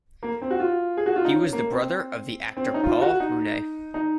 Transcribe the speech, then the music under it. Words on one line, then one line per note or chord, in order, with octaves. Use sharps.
He was the brother of the actor Paul Mounet.
A#3
C4
F#4
F4
G#4
F#4
F4
D#4
C#4
A#3
C4
C4
C#4
D#4
F4
F#4
D#4
D#4